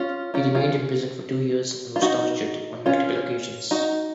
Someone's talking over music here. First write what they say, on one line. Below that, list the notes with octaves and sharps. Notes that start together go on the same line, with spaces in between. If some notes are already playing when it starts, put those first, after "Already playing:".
He remained in prison for two years and was tortured on multiple occasions.
Already playing: C#4 F4
C#4 F4
F4 G#4
F4
D#4 F#4
C#4 F4
D#4 F#4